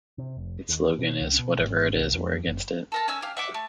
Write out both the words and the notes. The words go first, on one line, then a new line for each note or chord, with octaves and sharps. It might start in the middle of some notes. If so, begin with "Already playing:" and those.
Its slogan is Whatever it is, we're against it.
C3
F1
D#2
B2
C#2
B2
G#1
C2
F2
F#1
A4 A#4 A5
C#4 E5 G#5 E6
G4 F5
E5 F#5 D6
A3